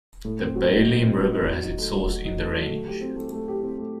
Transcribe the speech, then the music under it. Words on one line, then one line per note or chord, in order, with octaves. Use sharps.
The Baliem River has its source in the range.
A2
C4
F#3
D#4
A2
C4
F#3
D#4
F#3
D#4
A3
F#3
F#3
D#4
A3
F#3
A3
G4
C4
A3
A3
G4
C4
A3